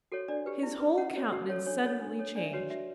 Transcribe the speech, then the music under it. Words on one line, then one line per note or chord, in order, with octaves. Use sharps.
His whole countenance suddenly changed.
F#4 A4 C#5
D4 D5
G4 B4
E4
B4
C#4 F#5
F#4 C#5
F#4
A4 C#5
D4 C#5
A4 C#5
D4
A4 C#5
D4 D5
E5
F#4 B4 C#5
F#4 E5